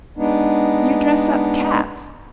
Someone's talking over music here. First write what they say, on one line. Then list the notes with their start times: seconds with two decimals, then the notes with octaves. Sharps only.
"You dress up cats."
0.17 G#3 B3 D4 D#4